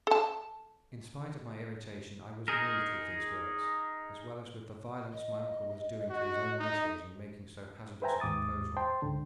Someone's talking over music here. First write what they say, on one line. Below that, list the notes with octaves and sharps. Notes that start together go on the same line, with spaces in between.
In spite of my irritation I was moved with these words, as well as with the violence my uncle was doing to his own wishes in making so hazardous a proposal.
A4 A5
D#4 G#4 A#4
D#5
F#4
D#4
B4 C5 E5 G5 G#5 A#5
D#2 G#2 D6 D#6 A6
C5 G5 A5 C6
C#2 G#2 D3